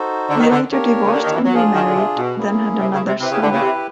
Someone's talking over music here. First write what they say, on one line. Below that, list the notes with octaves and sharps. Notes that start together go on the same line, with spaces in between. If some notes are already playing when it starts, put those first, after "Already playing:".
He later divorced and remarried, then had another son.
Already playing: D#4 F#4 A4 C5
D3
D#3
D3
A#3 D4 G4 A#4 C#5
C#3
D3
D#3
E3
F#3
F3 D4 F4 G#4
D#3
D3
C3
B2
A#3 C#4 E4 G#4
C3
C#3
C3
C3 E4 G4 B4
C#3
D3
C#3
C3